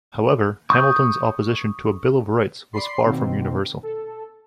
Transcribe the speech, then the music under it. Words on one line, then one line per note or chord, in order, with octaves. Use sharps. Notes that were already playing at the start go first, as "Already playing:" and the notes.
However, Hamilton's opposition to a Bill of Rights was far from universal.
C#6 D#6 G6
D5 B5 C6 C7
B2 D#3 A#3 C4
A4